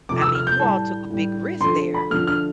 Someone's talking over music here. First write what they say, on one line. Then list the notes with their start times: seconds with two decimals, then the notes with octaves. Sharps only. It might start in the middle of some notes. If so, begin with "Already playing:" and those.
I mean, you all took a big risk there.
0.09 C3 F3 A3 D6
0.22 E6
0.35 F6
0.47 G6
0.60 A2 G3 A5
1.10 A2 G3
1.60 D3 F3 A3 C6
1.94 B5
2.10 D3 F3 A3 F6
2.27 F6